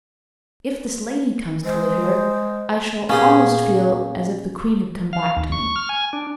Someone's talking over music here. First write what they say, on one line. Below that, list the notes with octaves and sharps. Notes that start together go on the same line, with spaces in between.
If this lady comes to live here I shall almost feel as if the queen had come back to me.'
G#3 C5
A#2 A#3 B3 C#4 G4 G#4
F5
D#2
C#6
F6
G#5
D4